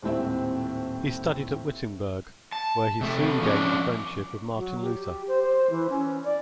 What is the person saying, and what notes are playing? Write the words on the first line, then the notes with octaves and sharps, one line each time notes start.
He studied at Wittenberg, where he soon gained the friendship of Martin Luther.
D#1 A2 C4 E5
A5
C3 A3
F3 C#4 D4
F#3
G4
C5
C5
E3
C#4
D5